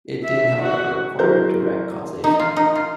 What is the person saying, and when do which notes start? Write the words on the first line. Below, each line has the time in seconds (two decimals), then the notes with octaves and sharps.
It did, however, require direct causation.
0.24 E5
0.62 F#4
1.19 F#3 E4 G#4 A#4 C5 G6
2.24 D#4
2.39 F4
2.57 D#4
2.75 F4